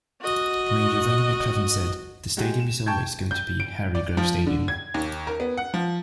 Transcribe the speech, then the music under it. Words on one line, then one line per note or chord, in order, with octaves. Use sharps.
Mayor Randy McClement said, The stadium is always going to be Harry Grove Stadium.
F#4 D#5
G#3 F#4 G4
E7
G5 A5 C#6 G6 G#6
G6
D7
D5
F3
D3
G#6
D#2
A#4
B3
F#5
F3